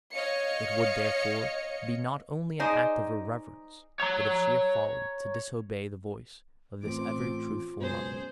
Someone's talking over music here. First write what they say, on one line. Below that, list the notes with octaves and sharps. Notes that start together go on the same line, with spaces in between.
It would, therefore, be not only an act of irreverence, but of sheer folly, to disobey the voice of this ever-truthful Mother.
C#5 D#5 F5 C#7
D#4 G#4 C5 D5 D#5 G#5
C#5 A#5
A1 C4 F4 D6
C#2 F#2 B2 G#4 C5